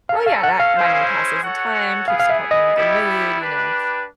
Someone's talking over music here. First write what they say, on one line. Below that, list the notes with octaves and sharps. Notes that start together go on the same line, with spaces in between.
Well, yeah, that, I mean, passes the time, keeps you probably in a good mood, you know,
C#4 F#4 A4 F5
F5
F#5
F5
G#3 C#4 E4 G#4 C5
F#4 A4 C#5 F#5
B3 E4 G#4 F5
F5
E5
D#5
G3 B3 E4 G4
D4 G4 B4